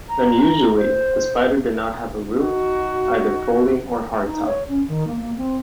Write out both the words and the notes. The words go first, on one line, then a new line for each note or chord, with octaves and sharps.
Unusually, the Spider did not have a roof, either folding or hard-top.
A#5
C5
D#4 F#4
D#4
C#5
C#4
D#3
A#3
A#3
C4